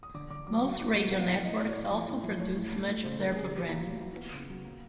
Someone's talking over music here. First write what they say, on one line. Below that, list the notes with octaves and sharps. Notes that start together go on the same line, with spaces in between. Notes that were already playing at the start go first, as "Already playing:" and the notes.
Most radio networks also produce much of their programming.
D#6
D3 D6
D3 D6
F#3 D6
F#3 C#6
A2 D6
F#3
B3 F#5
F5
A2 F#5
F5
A2 D#5
A2 D5
C#5
A2 D5
F3
A2
F3
A3 C#5
A2
A3
A3
C#3 C5
C#3 A#4
G3 G#4
G3
G4
F4
A#3 E4
A#3 F#4
F#3 E4
E4
B3 F4
C#3
F#3
A#3